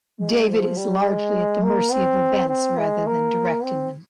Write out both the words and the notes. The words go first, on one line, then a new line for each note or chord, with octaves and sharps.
David is largely at the mercy of events rather than directing them.
G#3
F3
G3
G#3
A#3
C4
C4
G#3
A#3
C4